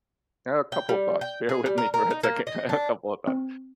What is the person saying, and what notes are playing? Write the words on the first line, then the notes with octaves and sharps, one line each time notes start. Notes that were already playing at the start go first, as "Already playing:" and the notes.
I have a couple of thoughts. Bear with me for a second. I have a couple of thoughts.
G5
G3
G5
G#4
G3
A#4
A#4
D#4
A#3
D#5
D4
C4